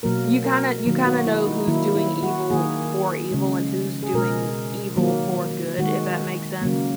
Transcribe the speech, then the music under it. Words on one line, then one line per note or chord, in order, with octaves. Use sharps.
you kinda you kinda know who's doing evil for evil and who's doing evil for good, if that makes sense?
B2 F#3 A#3 A#4
A#4
D#3 F#3 A#3
F#4
E4
D#4
D#3 F#3 A#3 E4
E4
F#4
D#3 A#3 G#4
C#3 G#3
G#4
B2 G#3 A#4
D#3 F#3 A#3
D#3 G#3 F#4
C#3 F#3 A#3